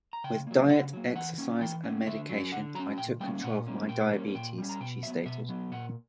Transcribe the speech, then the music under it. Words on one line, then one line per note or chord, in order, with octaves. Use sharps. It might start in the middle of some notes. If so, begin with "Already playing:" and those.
"With diet, exercise and medication, I took control of my diabetes," she stated.
A#5
C#3 G5
F#3 A#3
C#3 F#5
F#3 A#3
E3 F#5
A#3 C#4
E3 G5
A#3 C#4
D3 E5
F#3 C#4
D3 F#5
F#3 C#4 A#5
A#2 G5
G3 A#3 C#4 G5
A#2 F#5
G3 A#3 C#4
A#2 G5
G3 A#3 C#4
A#2 G5
G3 A#3 C#4
A#5
B2 G5
F#3 B3 E5
B2 E5
F#3 B3
A#2 F#5